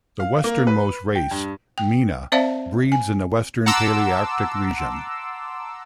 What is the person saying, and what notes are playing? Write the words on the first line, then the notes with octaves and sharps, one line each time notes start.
The westernmost race, "meena", breeds in the Western Palearctic region.
F5
A#3
B4
G5
G2
G5
C4 C5 D5 E5 F5 A5
G#5
F#5 A5 A#5 C6 D6 E6